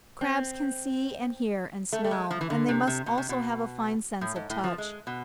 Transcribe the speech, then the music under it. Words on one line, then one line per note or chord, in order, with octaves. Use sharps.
Crabs can see and hear and smell; and they must also have a fine sense of touch.
C4
A3
A3
G#3
F3
E3
D3
C3
C3
B2
C3
B2
A2
G#2
A2
F3
G#3
B2